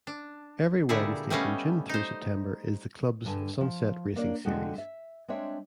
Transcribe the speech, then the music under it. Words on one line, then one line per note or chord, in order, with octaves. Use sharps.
Every Wednesday from June through September is the club's Sunset Racing Series.
D4
A#2 D3 G3 E4 G#4
G3 A3 B3 C#4 D#5 F5
D#4 C5
G2 D3 G#5 A5
F3
A#3 D4 A#4 C#5 D5
D3 F3 G#3 C4 F#4 A4
E5
G#3 C4 D4 C#5 E5